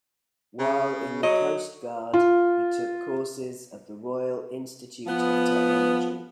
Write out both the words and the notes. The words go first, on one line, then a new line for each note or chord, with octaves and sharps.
While in the coast guard he took courses at the Royal Institute of Technology.
C#3
F#3 D#5
F4
F3 B3